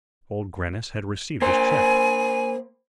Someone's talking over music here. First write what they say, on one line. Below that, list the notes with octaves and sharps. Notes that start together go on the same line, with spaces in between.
Old Grannis had received his check.
A#3 C5 G#5